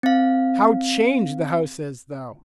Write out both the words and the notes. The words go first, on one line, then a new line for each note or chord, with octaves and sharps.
How changed the house is, though!
C4 F5